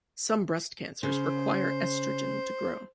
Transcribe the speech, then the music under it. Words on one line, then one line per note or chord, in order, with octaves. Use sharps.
Some breast cancers require estrogen to grow.
C#3 C5